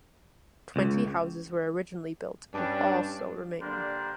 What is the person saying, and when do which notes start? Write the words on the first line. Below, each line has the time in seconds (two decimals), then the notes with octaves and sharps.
Twenty houses were originally built and all still remain.
0.76 C#2
2.54 G2 G3 C#4 D4
3.61 D3 G3 A#3 D4 A#4 C5